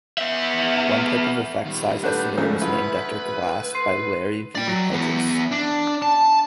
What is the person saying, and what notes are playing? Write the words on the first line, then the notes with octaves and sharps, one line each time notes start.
One type of effect size estimator was named after Glass by Larry V. Hedges.
B3 E5
D#3 G3
A3 D4 B4 F#5 F#6 G6
D2 C#3 F3 G#3
D2 E4 B4
C6 C7 D#7
D5 G5
F#3
E2 B3
D4
A5